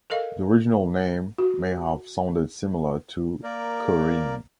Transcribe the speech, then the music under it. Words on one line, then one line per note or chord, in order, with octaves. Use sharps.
The original name may have sounded similar to "Korinn".
A4 A#4 D#5 F5
F#4
A#3 A#4 D5